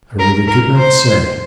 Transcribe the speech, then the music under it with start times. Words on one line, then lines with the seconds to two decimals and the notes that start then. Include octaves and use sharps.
I really could not say?'
0.19 A#4
0.47 A#4
0.77 C5